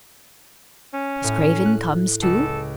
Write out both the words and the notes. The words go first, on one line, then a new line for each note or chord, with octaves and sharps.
Miss Craven comes too?
C#4
A2
F#6
C#2 A4